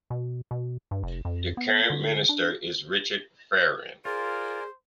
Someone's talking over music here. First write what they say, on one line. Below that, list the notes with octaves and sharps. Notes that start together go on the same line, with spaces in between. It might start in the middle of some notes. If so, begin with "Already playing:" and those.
The current Minister is Richard Ferrand.
B2
B2
G2
F1
F2
B3
D3
D4
F4 G#4 A#4 C5 D5 G#5